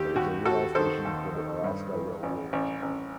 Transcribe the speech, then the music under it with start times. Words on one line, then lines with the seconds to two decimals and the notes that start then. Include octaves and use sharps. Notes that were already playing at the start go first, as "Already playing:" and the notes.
There is a rail station for the Alaska Railroad.
Already playing: D#2 G4
0.16 D#2 F#4
0.45 D#2 F#4 A4
0.75 D#3 A4 C5
1.05 D#2
1.34 D#3
1.64 G2
1.93 E3
2.23 A1
2.53 A1
2.82 A1